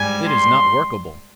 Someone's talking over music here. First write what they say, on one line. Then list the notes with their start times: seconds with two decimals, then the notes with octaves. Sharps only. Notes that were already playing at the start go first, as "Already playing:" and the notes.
It is not workable.
Already playing: G#2 G3 G#5
0.30 C6